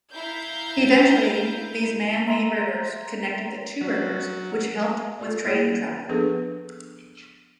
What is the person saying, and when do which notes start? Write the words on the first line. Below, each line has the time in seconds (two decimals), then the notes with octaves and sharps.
Eventually these man-made rivers connected the two rivers which helped with trade and travel.
0.13 E4 F5 A#5 G6
2.27 E5 A#5 C6
3.81 F#3
5.19 F4 A4 D5
5.45 A#3 E4 G#4 D5 G5
6.09 F3 B3 D4 G#4 A4 B4